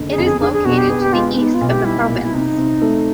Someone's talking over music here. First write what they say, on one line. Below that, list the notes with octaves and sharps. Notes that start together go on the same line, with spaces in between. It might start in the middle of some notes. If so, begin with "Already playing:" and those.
It is located to the east of the province.
Already playing: F#1 D3
G#4
F2
G#4
D4 G#4
G#4
B2 F#4
G4
B3 G#4
G4
G#3 F4
B3 D#4
F4
B1
G4
G3 E4
A#2
E4
C3 D#4
C3
A3